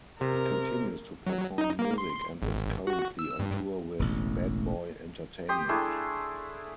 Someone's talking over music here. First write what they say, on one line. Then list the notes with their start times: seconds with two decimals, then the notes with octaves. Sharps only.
He continues to perform music and is currently on tour with Bad Boy Entertainment.
0.21 C3 A#4
1.27 F#3
1.58 D#4
1.79 A#3
1.98 C6
2.42 G#1
2.87 F#4
3.19 E6
3.39 G2
3.99 E1 A1
5.49 G4 C6 D#6
5.69 A3 D4 E4 G#4